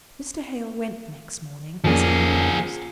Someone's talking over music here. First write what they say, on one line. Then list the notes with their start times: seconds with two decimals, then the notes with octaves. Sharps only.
Mr. Hale went the next morning, as he proposed.
1.84 F2 F3 A#3 C#4 G#4